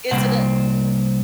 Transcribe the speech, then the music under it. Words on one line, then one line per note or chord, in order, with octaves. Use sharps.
Is it a
C2 A#2 C4 F#5